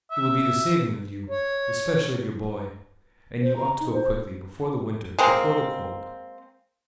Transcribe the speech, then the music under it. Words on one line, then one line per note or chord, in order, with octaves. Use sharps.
It would be the saving of you, especially of your boy--and you ought to go quickly, before the winter, before the cold.
E5
C#5
C5
A#5
D#4
C5
G#3 A#3 C4